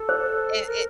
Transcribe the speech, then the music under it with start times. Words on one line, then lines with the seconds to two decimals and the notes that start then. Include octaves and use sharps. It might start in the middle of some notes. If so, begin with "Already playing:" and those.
and and
Already playing: A4
0.09 C5
0.63 A4
0.68 A#4